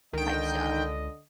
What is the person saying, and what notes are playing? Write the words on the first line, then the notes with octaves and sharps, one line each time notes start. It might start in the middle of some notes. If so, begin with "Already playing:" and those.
type stuff.
C#2 D3 D#3 D#5 G5